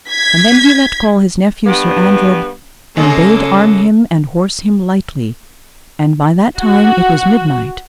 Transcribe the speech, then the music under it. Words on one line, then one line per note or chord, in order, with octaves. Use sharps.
And then he let call his nephew Sir Andred, and bade arm him and horse him lightly; and by that time it was midnight.
G#6 B6
G2 B3
C#3 F#3 G#3 A#3 A4
F#4